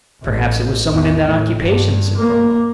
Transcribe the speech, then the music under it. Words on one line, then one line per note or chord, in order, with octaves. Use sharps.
"Perhaps it was some one in that occupation," said Cromwell.
A1
E2
A2
G2
A#3